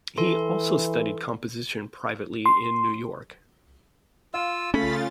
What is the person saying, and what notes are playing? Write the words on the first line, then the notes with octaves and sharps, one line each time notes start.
He also studied composition privately in New York.
E3 A4 C6
C6
F4 F5 E6
C#3 A3 C#4 F4 B5 A6